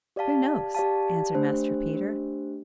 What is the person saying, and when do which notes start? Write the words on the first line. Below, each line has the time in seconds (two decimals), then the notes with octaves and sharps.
'Who knows?' answered Master Peter.
0.16 G4 D5 F5 A5
0.75 G4 D5 F5 A5
1.34 A3 D4 G4 C5
1.93 A3 D4 G4 C5